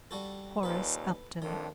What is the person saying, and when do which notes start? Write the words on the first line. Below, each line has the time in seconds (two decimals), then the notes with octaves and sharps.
Horace Upton.
0.11 G3 F#4 A4
0.63 D#2 A#2 A4 B4
1.42 F2 A2 D#3 D4